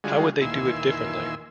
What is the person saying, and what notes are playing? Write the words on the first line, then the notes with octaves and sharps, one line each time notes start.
How would they do it differently?
D3 G3 G#3 F4 F#4 G#4
D#2 A#2 E3 G#5 C6 E6